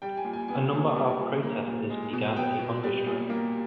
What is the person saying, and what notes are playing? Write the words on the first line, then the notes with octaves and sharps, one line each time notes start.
A number of protesters began a hunger strike.
G3 G5
G#5
A#2
G#5
B3 G#5
A#2
G3
A#2
A#3
A#2
G#3
B2
B3 G5
B2
G3
A#2
A#3